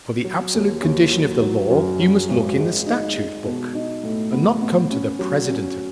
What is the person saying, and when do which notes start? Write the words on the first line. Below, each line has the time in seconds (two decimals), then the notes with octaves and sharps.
"For the absolute condition of the law you must look in the statute-book, and not come to the President of the empire."
0.24 F#3
0.55 D#2
0.83 D#2
1.12 F#3
1.41 F#3
1.70 F#2
2.00 F#3
2.29 G#1
2.58 G#3
2.87 D#4
3.16 G#3
3.45 B2
3.75 D#4
4.03 A2
4.32 B3
4.61 B3
4.90 C#4
5.19 F#3
5.48 C#4